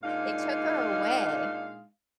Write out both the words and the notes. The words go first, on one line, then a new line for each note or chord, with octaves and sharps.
They took her away,
A#2 G#3 D4 D#4 F5